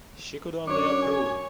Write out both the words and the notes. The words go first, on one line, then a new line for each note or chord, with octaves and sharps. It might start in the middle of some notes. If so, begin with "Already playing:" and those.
She could only approve.
F#2 D4 C#5
G#5